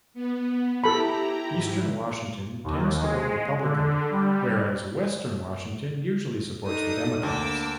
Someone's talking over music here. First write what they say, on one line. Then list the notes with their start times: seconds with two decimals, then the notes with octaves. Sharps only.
Eastern Washington tends to vote Republican, whereas Western Washington usually supports the Democrats.
0.14 B3
0.84 E4 G4 A4 A#5 B5
1.52 G#2 E4
2.64 D#2
3.01 G#3
3.62 D3
4.11 G3
6.66 D4 D#4 A4 D#6
7.23 D2 D3 A#3 D4 D6 E6